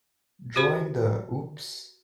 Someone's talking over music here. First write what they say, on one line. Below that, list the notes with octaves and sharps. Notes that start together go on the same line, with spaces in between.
During the Oops!...
F#4 G4 C5 B5